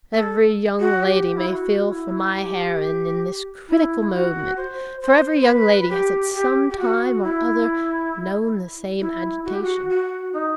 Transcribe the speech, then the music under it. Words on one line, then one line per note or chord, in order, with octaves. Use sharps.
Every young lady may feel for my heroine in this critical moment, for every young lady has at some time or other known the same agitation.
A4
F#4
G4
E4
F#4
E4
G4
E4
F#4
C5
C5
C5
B4
G4
G4
G4
F#4
E4
E4
F#4
G4
F#4
F#4
D#4